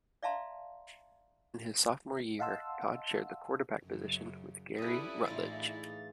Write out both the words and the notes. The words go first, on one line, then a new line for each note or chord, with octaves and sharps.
In his sophomore year, Todd shared the quarterback position with Gary Rutledge.
D5 E5 F5 A5 A#5 C6
D#5 F5 F#5 A5 C6 E6
F#2 C#3
F3 C#4 E4 G4 A4 B4 D5 D#6
A2 E3 D#4 F4 G#4 A6